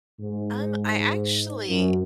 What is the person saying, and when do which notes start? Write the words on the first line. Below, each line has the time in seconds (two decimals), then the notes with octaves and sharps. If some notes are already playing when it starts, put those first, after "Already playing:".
Um, I actually
0.19 G#2
1.67 F#2